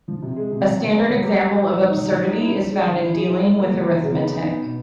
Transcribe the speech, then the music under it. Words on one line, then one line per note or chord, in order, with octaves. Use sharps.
A standard example of absurdity is found in dealing with arithmetic.
F3
C3
G#3
C3
F#3
F#3
B3
F#3
G4
G4
G4
G3
D#4
F#3
F#3
D#4
E4
C#4
G#3
D#3
E4
G#4
E4
G#3
A#3
F#3
F#3
C#3
B3
D#4
B3
B2